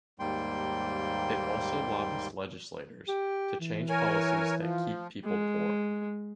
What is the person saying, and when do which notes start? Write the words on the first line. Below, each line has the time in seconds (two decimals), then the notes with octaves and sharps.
It also lobbies legislators to change policies that keep people poor.
0.20 D#2 G#2 G3 A#3 G5 C6
3.08 G4
3.60 E3
3.89 A#4 C#5 G#5
4.59 F3
5.25 G#3